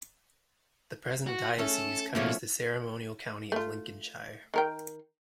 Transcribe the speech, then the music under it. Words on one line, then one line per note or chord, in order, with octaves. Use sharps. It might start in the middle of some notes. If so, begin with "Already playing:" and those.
The present diocese covers the ceremonial county of Lincolnshire.
F#4
A3 C#4 A4
B2 F3 A3 A#3 C#5
A3 F4
D#3 A#4 G5